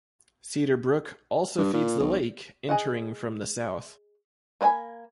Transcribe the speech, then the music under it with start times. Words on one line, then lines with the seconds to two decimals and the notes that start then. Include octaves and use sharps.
Cedar Brook also feeds the lake, entering from the south.
1.58 G2
1.74 A#2
2.00 B1
2.69 G#4 D#5 F#5
4.61 A#3 B4 D#5 G#5 B5